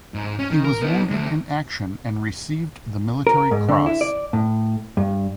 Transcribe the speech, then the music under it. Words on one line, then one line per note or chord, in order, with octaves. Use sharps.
He was wounded in action and received the Military Cross.
G#2
C#4
D#3
A#4
B3 D#4
D2 A3
A#4
G#2
D3
E4
D5
A2
G2